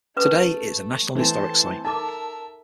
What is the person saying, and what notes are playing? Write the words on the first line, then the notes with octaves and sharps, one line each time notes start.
Today it is a national historic site.
A3 C#4 B4 D#6
E3 A3 C4 C5 A5
D#4 A4 A#4 E5 A5 D6